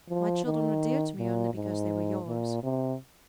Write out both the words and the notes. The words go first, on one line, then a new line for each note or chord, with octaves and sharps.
My children were dear to me only because they were yours.
F3
D#3
A#2
G#2
A#2
C3